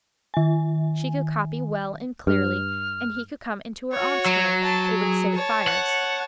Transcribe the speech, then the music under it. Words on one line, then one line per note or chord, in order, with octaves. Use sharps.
She could copy well and clearly, and he could come into her aunt's room--it would save fires.
D#3 G#5
G2 F6
F#4 C#5
F#3
A5
G#4
C#5 A5
F#5